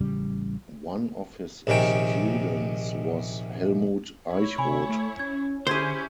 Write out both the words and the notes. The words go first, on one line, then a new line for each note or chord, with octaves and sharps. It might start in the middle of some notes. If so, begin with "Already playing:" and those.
One of his students was Hellmut Eichrodt.
A1 C#3 G3
A#1 C3 D#3 C#4 G5
E4 C#5
C3 G#5 B5
A3
C#4 G#6
D3 C#4 E4 G4 G#4 C5 G#6 C7